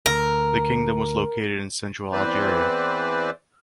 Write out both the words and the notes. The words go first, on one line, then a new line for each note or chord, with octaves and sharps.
The Kingdom was located in central Algeria.
D2 A#4
E2 E3 C4 B4 C5 D5